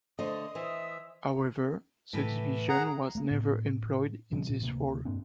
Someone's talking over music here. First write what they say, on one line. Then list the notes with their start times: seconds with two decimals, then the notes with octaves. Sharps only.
However, the division was never employed in this role.
0.19 D3 A3 C5 D#5 D#6
0.55 E3 B4 C5 E5
2.13 A2 E3
2.69 G#4 F#5 A#5
3.15 A3 A#3
3.31 A2 B3
4.32 B2 F3 G3 C4
4.49 A#2
4.62 D2 C3 A#3
5.05 G2 A#3 C4 D4